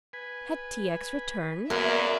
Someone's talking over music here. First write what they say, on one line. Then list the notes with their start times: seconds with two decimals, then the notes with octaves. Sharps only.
Had T. X. returned!
0.13 B4 G#5
1.70 F#2 A#3 B3 F#4 G#4 A#4 D5 E5